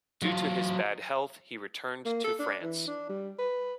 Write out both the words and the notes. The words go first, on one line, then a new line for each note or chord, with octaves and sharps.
Due to his bad health he returned to France.
F#3 F4
A#3
A4
D4
E3
D4
G3
B4